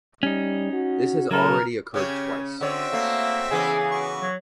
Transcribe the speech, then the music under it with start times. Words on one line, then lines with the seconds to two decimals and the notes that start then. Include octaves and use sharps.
This has already occurred twice.
0.23 G3 C#4 D#4
0.73 F#4
1.31 C#3 F#3 A4 A#4
1.94 C#3 C#4 G4 C#5
2.61 D3 C4 F#4 C#5 E5
2.93 A3 A#3
3.51 C#3 E3 B3 G#4
3.91 F#4 C#6
4.21 F#3